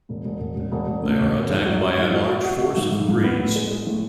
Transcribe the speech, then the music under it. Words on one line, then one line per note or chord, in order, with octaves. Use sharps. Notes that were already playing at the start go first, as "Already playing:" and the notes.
They are attacked by a large force of 'breeds.
E1
E1
E1
E1
E1
E1
D2
E1
E1
G#2
F#3
F#4
G#2
F#4
F#4
F#4
F#4
G#2
G#2
G#2
B3
A2
G#3
G#3
A2